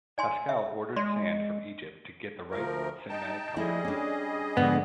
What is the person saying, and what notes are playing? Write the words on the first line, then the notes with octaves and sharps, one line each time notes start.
Pascal ordered sand from Egypt to get the right cinematic color.
D5 G#5 C6
E5
G#3 D5 C6
D2 F3 A#4
D#4 G5 A5
F3 G3 A3 E4 G#4 D#5
C#4 D4
G#2 D3 F3 B3